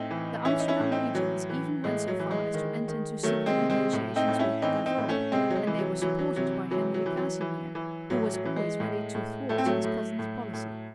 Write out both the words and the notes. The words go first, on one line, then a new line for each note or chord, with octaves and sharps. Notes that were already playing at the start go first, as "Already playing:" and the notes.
The Amsterdam regents even went so far as to enter into secret negotiations with D'Avaux; and they were supported by Henry Casimir, who was always ready to thwart his cousin's policy.
Already playing: A2 C4 D#4
E3
E3 C#4 E4
D#4
C#4 E4
A2
C4 D#4
E3 F#3
E3
A2 G#3
F#3
E3
G#3
D#3
D#3
D#3 F#3 A3
G#3 C4
C3
G#3 C4
A2
C4 D#4
A2
C#4 E4
E3 C4 D#4
C4 D#4
A2
A3 C#4
C3 G#3 C4
F#3
G#3
E3
F#3
E3 F#3
F#3
C3 F#3
E3 F#3
F#3
E3
F#3
E3
E3
A2 F#3
F#3
E3
G#3
A2
A2
A2 A3
C4
F#3 A3
A2
A2
A2